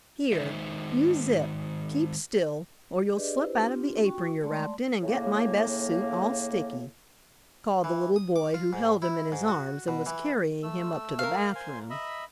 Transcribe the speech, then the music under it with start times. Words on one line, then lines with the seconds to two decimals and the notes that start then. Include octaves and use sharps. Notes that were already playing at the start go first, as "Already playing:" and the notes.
"Here, you Zip, keep still, or you'll slip out of the apron you're wrapped in and get my best suit all sticky," called the little boy who held him in his arms and was carrying him up to the bathroom.
0.33 D#3 G#3 D#4 C5 E5
3.17 D4 G4 G#4 B4 D5 D#5
3.44 E4 G4 B4 C5
3.57 C4 D4 F4 G4
4.05 F#4 G5 C#6
4.42 G#3 A3 D5 A5 C6
5.03 A2 C#3 A#3
7.84 E3
8.16 D#6
8.36 D6
8.54 F4
8.73 G#2
9.02 E4
9.32 G#2
9.48 F#4
9.88 B2
10.06 E3
10.63 A3 E6
11.19 A#4 F5
11.55 C5 G#5 C6
11.90 D#5 E5 B5